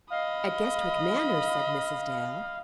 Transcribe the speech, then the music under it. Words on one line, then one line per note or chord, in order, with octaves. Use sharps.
"At Guestwick Manor!" said Mrs. Dale.
D#5 F5 B5